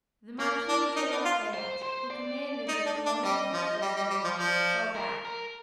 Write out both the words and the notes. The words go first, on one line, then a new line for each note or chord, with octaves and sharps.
The Marquis de la Fayette, who commanded the colonial forces here, fell back.
A#3 A#4
D4
D#4
D4
F4
C5
C5
D5
D#4
D4
D4
G3 D#5
F3
G3
G3
G3
F3
F3 D5
A#4
A#4